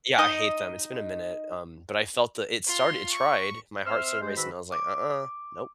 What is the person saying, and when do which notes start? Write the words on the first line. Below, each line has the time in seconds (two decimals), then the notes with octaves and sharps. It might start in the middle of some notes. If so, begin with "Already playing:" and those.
yeah, I hate them. It's been a minute. Um, but I felt that it started, it tried. My heart started racing. I was like, "Uh-uh. Nope.
0.18 D#4 D#5
2.66 F4 C6
3.11 C#6
3.86 C4 E5 C6 E6 F6
4.21 G#3 C5
4.36 G#2 D#3 F#4 B4 B5 E6
4.72 D6